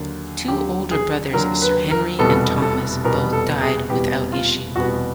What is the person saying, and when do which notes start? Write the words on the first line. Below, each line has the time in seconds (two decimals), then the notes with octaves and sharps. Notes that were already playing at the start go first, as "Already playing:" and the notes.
Two older brothers Sir Henry and Thomas both died without issue.
Already playing: D#2 D3 F#3
0.48 D#2 D3 F#3 G4
0.91 G#4
1.33 D#2 D3 F#3 A#4
1.62 B4
1.91 A#4
2.19 F1 E2 B2 G3 B3 A4
2.62 A4
3.05 F1 E2 B2 G3 B3 A#4
3.33 A4
3.61 G#4
3.90 F1 E2 B2 G3 B3 G4
4.33 F4
4.76 F1 E2 B2 G3 B3 F#4